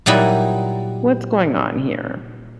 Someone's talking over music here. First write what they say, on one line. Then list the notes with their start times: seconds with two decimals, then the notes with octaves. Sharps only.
what's going on here?
0.06 A#2 F#3 G3 D#4 E4